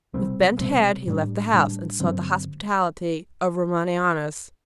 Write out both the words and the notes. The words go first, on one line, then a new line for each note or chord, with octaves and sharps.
With bent head he left the house and sought the hospitality of Romanianus.
C2 B2 G3 C4
C2 B2 G3 C4
A2 G3 D4
A2 G3 D4
G2 D3 F#3 C4